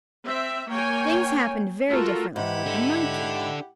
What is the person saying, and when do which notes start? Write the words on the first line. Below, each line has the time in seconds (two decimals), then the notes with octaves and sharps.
Things happened very differently with the monkey.
0.24 C4 E5
0.69 A#3 C#5 G5 G#5
1.88 A3 F4 F#4 A4 A#4
2.36 G#2 E4 G4 F#5
2.66 D4 A4